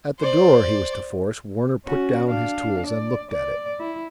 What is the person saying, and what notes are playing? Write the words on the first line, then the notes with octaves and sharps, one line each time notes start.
At the door he was to force, Warner put down his tools and looked at it.
C5 D5
C#4 F#4
D4 F5
D5
D5
E4